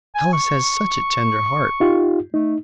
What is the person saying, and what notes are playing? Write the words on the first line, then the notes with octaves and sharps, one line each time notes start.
"Alice has such a tender heart."
G#5
C#6
D#4 F4 G4
A3 D#4